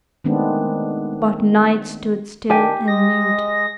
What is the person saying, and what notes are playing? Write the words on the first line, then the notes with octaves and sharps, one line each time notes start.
But Night stood still and mute.
D#3 G#3 A3 B3 C4 D4
D#3 D4 G4 G#5
G#3 D#5 A#6